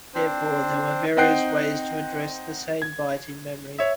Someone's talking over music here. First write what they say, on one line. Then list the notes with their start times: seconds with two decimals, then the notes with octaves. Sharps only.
Therefore, there were various ways to address the same byte in memory.
0.14 C4 D4 C5
1.17 C4 D#4 F#5 G5 F#6 C7
2.82 G#6
3.78 C#5 E5